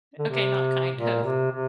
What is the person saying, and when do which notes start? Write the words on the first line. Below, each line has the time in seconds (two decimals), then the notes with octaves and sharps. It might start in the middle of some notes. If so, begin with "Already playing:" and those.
okay, not kind of.
0.19 D3
0.29 C3
0.95 A#2
1.24 C3
1.51 C3